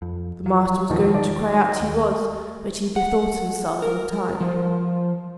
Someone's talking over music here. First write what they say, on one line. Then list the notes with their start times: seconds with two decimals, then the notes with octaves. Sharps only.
The master was going to cry out he was, but he bethought himself in time.
0.02 F2
0.46 F3 F#3
0.90 E2 A#2 D#3 F3 F#3
1.14 D#3 F#3 D5
1.81 D#2
2.96 F#5
3.82 A#4
4.40 F3